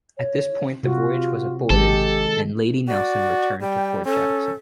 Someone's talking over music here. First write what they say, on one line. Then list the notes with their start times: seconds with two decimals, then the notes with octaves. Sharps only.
At this point the voyage was aborted and "Lady Nelson" returned to Port Jackson.
0.17 C#5
0.83 C3 F4 F#4
1.70 G#1 D#3 G#3 G4 A4
2.88 F#4 D5
3.61 G3 G5
4.05 C#4 A4